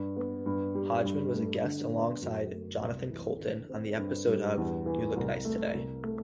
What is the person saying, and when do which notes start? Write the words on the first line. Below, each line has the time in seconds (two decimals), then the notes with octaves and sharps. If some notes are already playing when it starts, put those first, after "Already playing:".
Hodgman was a guest alongside Jonathan Coulton on episodes of "You Look Nice Today".
Already playing: G2
0.17 B3
0.46 G2
0.75 G3
1.04 G2
1.34 A3
1.63 D3
1.92 B3
2.22 F#2
2.52 A3
2.81 C2
3.10 E3
3.39 D3
3.69 C4
3.98 G2
4.28 G3
4.57 E2
4.86 E3
5.16 C2
5.45 A3
5.74 C2
6.03 A3